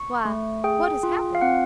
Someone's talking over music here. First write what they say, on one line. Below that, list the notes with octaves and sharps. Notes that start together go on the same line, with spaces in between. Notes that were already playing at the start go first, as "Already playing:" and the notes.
"Why, what has happened?"
Already playing: C#6
A3
G#4 G5
F4
F5
C4 F#5